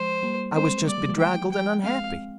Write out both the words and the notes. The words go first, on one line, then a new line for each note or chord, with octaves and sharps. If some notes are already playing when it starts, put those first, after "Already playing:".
I was just bedraggled and unhappy.
Already playing: F3 G#3 C5
G3 A#3
G#3 C4 C5
G#3 C4
G3 A#3 D5
D#3 G3
F3 G#3
G5
G5
G#3 C4 F5